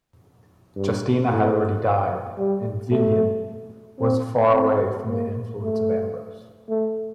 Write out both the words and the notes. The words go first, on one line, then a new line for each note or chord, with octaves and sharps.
Justina had already died, and Vienne was far away from the influence of Ambrose.
G2
A2
G3
A3
C4
C4
A#3
A3
A3